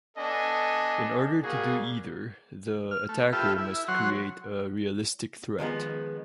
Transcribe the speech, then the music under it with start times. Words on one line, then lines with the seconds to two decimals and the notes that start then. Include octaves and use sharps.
In order to do either, the attacker must create a realistic threat.
0.18 B3 D4 A4 D#5 G#5
1.43 G3 A#3 F#4 G#4
2.91 F6
3.09 A3
3.33 F4 G4 A4 B4 E5
3.58 E4
3.88 F#3 C#5 F#5 C6
5.58 D#3 F3 G#3 B3